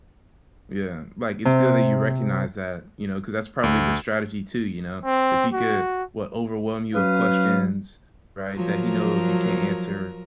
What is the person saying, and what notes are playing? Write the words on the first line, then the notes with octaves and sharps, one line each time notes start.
Yeah, like, it's good that you recognize that, you know, ‘cause that's probably the strategy too, you know, if he could, what, overwhelm you with questions, right, that he knows you can't answer
C3
D2
C4
F#4
F#3 C#4 B4 F5
F3 F#3 A#4